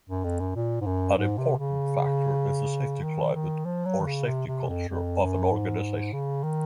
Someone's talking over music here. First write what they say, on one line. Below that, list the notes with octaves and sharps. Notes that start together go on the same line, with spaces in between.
An important factor is the safety climate or safety culture of an organization.
F#2
F2
F#2
A#2
G#2
F#2
G#2
C3
C#3
D#3
D#3
F3
F#3
D#3
C#3
C3
C3
F2
F2
F#2
G#2
C#3
D#3